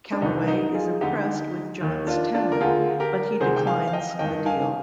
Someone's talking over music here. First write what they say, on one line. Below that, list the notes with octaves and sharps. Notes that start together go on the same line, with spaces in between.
Calloway is impressed with John's talent, but he declines the deal.
D4
C2 C3 D#3 D#4
D#4
F4 G#4
D2 D3 D#4 G4
D#2 D#3
D4 F4
D4 F4
A#4
D2 D3 F4 G#4
G4 A#4
D2 C3 D#3 G#4 C5
G5
F5 G#5
F5
D#5 G5
G2 D#3 D#5 G5
F5 G#5